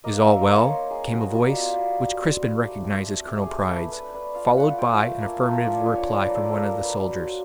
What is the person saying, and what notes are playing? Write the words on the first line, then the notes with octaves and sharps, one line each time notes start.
"Is all well?" came a voice, which Crispin recognized as Colonel Pride's, followed by an affirmative reply from one of the soldiers.
A#3 D#5
E5
D#4 D#5
C5
A#3 C#5
D#4 C5
D#4 G#4
D#4 F#4
G3 F4
C4 F4
G3 F#4
D#4
C4
G3
A3
C4
A3
A3 G4
G#4
A3
A3 B4
D4 B4
D4 B4
F4 F5
A3 F#5
F4 G5
A3 A5
A#3 G#5
F3 A5
D4 G#5
D4 G#5
C#5
F3 D5
B4
A#3
A4
A#3 A4
A#4
F#3
B4
F#3 B4
A#3 C5